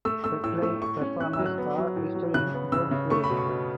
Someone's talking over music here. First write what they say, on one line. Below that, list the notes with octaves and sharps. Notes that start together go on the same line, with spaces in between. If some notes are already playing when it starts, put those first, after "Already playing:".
Headline performers are listed in Boldface.
A3 E6
A3 E6
A2 E6
A3 E6
A2 C#6
C#4
C#4 F#6
E6
F#3
F#6
B3
F#3
A2
F#3
C#3 F#6
B3
C#3 E6
C#3
A3 C#6
B5
B2
C#6
B2